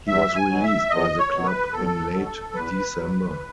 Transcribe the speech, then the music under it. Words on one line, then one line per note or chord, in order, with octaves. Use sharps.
He was released by the club in late December.
E2 E5
G#5
B2 F#3
E5
E2 D#5
C#5
B2 F#3
B4
E2 A4
B2 F#3
E2 B4
B2 F#3